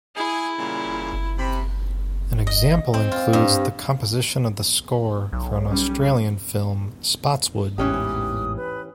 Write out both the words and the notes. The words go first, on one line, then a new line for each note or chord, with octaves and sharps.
An example includes the composition of the score for an Australian film "Spotswood".
E4 G#4
A#2 C#3 G3
C3 B5
D#5
C4
F4
G2
B1
G3 C#4
A1 E2 G#2 E3 C#4 G4 D#6
B4